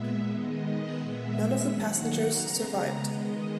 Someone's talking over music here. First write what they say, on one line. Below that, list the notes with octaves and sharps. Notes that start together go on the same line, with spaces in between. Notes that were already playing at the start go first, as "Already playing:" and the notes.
None of the passengers survived.
Already playing: A#2 G#3 B3 E5
D#3 G#3 B3 D#5
A#2 G#3 B3 E5
E5
D#3 F#3 A#3 F#5
A#5
C#3 G#3 B3 A#5
D#3 G#3 B3 D#5